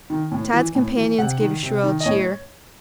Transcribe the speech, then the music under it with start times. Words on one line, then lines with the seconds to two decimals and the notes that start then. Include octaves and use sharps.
Tad's companions gave a shrill cheer.
0.10 D#3
0.32 A2
0.53 E3
0.75 A2
0.97 E3
1.18 C3 F#5
1.40 D#3
1.63 C3
1.83 D#3
2.00 D#5
2.06 A2 C#5